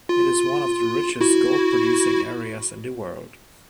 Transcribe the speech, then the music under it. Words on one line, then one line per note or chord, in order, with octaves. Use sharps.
It is one of the richest gold-producing areas in the world.
F4
E4 F#4